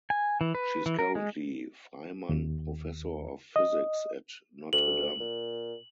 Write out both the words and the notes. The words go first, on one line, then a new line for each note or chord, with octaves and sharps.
She is currently Freimann Professor of Physics at Notre Dame.
G#5
E3
B4
E3
A#4
G#3
D#2
D#5
D2 F#7
A#2